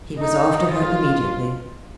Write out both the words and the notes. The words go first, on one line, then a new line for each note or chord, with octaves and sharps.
He was after her immediately.
D#4
F4